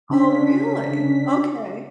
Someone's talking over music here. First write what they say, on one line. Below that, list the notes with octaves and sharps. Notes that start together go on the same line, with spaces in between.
Oh, really? OK.
C#3 C#4 D4 B6